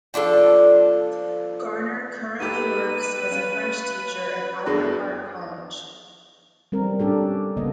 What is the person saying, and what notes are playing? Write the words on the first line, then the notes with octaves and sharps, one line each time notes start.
Garner currently works as a French teacher at Albert Park College.
F3 D4 F4 A4
D#4 G4 A4 B4 D#7
C#4 F5
F#2 B3 D4 E4 F#4 G#4 A#6
G3 C4 A#4
C#4 D4 G4 A4
C#3 A#3 B3 D#5